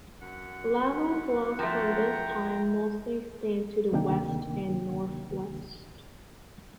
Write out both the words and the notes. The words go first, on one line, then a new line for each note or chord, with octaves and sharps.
Lava flows from this time mostly extend to the west and northwest.
F#2 F#5
F3 A3 G5 A#5
D2 C3 D#3 A#3 D4 G5